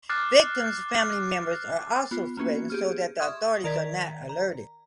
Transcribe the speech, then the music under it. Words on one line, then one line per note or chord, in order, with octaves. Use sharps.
Victims’ family members are also threatened so that the authorities are not alerted.
D6 F6 F#6 A6 C7
B3 F4
A#3 B3 C#4 F#4
G4 G#4 F6
E5 C6 C#6 D#6 F6 G#6
D#3 A#4 D5 A#5 G#6 B6
A#5